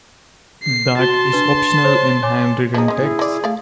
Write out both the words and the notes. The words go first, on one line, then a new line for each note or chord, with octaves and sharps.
That is optional in handwritten text.
C7
F#4 A5 C6 G7
D4 B4 G7
C5 C#5
C#5 G#5 D6
F3 D#4 G#4 D#5
G#3 C#4
E4
G#3 D5
A3 D5 F5